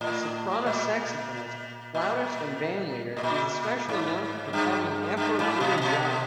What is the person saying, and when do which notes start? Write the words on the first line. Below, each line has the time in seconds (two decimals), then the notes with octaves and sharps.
A soprano saxophonist, flautist and bandleader, she is especially known for performing Afro-Cuban jazz.
0.01 A2
0.66 A#2
1.95 A#2
3.17 A2
3.23 A#2
3.89 G#2
4.53 G2
5.17 G2
5.39 G#2
5.60 B2
5.82 B2